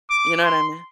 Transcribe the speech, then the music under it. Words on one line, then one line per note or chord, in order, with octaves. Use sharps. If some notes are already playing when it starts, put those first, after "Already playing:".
You know what I me
D6
C6